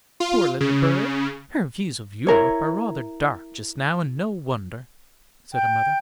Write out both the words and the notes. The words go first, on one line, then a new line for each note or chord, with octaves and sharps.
"Poor little bird, her views of 'Europe' are rather dark just now, and no wonder," said her mother.
F4
C#3
E4 A#4 C#5
G5